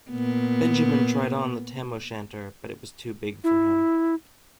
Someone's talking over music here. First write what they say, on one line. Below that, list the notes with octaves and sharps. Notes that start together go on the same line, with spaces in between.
Benjamin tried on the tam-o-shanter, but it was too big for him.
A#2 B3
E4